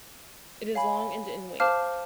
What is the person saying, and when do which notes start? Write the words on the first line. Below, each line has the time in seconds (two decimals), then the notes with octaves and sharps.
It is long and in weight.
0.75 C#5 F5 G#5 B5
1.60 C5 F5 A5 D6 F6